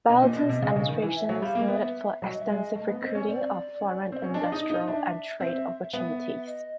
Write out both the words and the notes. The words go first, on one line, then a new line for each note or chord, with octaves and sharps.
Blanton's administration was noted for extensive recruiting of foreign industrial and trade opportunities.
B2 D#5
A#2
B2
C3
C#3
C#3
D#3
E3
E5
F#3
G3 F5
A#3
B3 E5
F#3 D#5
E5
G#3
D#5
A3
B3
C4
C#4
C4 D5
C#4
C4
C#4
D4 D#5
D#4
D#4
D4 E5
C4 E5
B3 E5
D#5